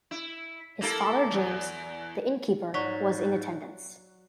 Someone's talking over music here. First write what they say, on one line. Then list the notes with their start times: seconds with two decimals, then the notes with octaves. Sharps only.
His father James, the Innkeeper, was in attendance.
0.11 E4
0.81 A#3 E4 A4
1.31 E2
2.74 G#2 F#3 D5 C#6 B6